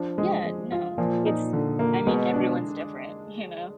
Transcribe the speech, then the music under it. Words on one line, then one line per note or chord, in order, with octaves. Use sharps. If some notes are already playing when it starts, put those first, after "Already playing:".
Yeah, no, it's I mean, everyone's different, you know?
Already playing: F3 D4
G#3
G#3
F4
A#2 F3
D#4
D3
A#3
B2 G#3
D4